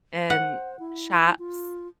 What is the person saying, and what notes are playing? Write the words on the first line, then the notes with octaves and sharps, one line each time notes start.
And shops
C5 F#5
E4
F4